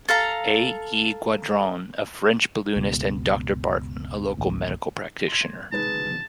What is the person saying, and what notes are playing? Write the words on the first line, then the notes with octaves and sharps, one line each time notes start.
A E Gaudron, a French balloonist and Doctor Barton, a local medical practitioner.
A4 F5 A#5
F#1 C#2 B2
D1 A1 D#2
C6 G#6
G#3 D#4 B4 A5